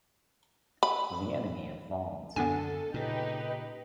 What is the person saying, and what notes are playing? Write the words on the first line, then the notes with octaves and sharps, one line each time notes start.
The enemy advanced.
B5
F#2 D3 B3 D4 A4 G#5
A#2 C#3 D#4 G4 B4